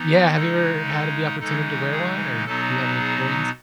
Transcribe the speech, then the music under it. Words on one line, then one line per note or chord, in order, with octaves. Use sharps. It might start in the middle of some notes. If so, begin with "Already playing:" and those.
yeah, have you ever had the opportunity to wear one or do you have any experience?
Already playing: E3 B3 D#4
C#3 G#3 D#4 A4
A4
C#3 E3 G#3 D#4 A4
G#4
B2 F#3 B3 D#4 A4
G#4